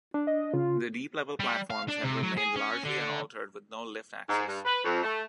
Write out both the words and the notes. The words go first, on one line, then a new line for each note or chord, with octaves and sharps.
The deep-level platforms have remained largely unaltered with no lift access.
D4
D#5
C#3 F4
G3
F5
D4
C3
F#3
G#4
C#4
D3
G#2
G2
B4
F2
A3